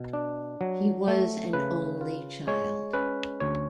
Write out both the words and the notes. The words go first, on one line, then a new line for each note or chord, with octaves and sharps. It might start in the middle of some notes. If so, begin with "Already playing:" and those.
He was an only child.
Already playing: B2
D4
F#3
A3
C#3 B4
F4
G#3 C#5
C#4 B4
D2 C#5